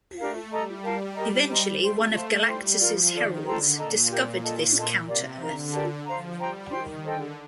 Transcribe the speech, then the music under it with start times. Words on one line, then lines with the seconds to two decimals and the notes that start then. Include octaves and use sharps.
Eventually, one of Galactus's Heralds discovered this Counter-Earth.
0.18 A3 D4 G4 A#4 F5
0.51 G3 A4 D#5 A#5
0.84 A#4 F5 A5
1.16 G4 A#4 D#5 A#5
1.49 C5 D#5 A#5
1.82 A3 C5 G5 C6
2.15 A3 C5 F5 A5 C6
2.47 G3 C5 G5 C6
2.80 F3 F4 A#4 D5
3.12 D#3 F4 A4 D5
3.45 D3 A4 C5 G5 A#5
3.77 A#2 A4 D#5 A#5
4.10 G4 A#4 F5
4.43 A4 D#5 A5
4.75 A4 D#5 A5 C6
5.08 C3 G4 A#4 D5 F5
5.40 D3 D#4 A#4 F5 A#5
5.73 G4 A#4 D5 A5
6.06 F3 C5 F5 A#5
6.39 G3 C5 G5 A#5
6.71 D#3 C5 G5 C6
7.03 D3 A4 C5 D#5 G5